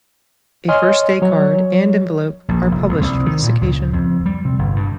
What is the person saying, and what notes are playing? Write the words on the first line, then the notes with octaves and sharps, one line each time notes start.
A First Day card and envelope are published for this occasion.
C#5 D#5 G#5 C6 F6
F#3 C#5
A#1
F1
C2
C2
D#3
A#2
C#2
F2
G3
C3
G1
G2